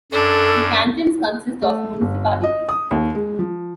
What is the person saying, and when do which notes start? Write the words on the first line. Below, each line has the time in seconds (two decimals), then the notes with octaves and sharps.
The cantons consist of municipalities.
0.12 F#2 D4 A4
1.62 A3
2.01 G1
2.43 D#5
2.69 D#6
2.91 D#2
3.15 G#3
3.39 F3